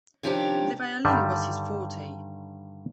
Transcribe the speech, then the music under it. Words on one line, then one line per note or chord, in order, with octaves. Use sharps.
The violin was his forte.
C3 D#3 F3 C#4 D4 G4
G2 D3 D#3 G3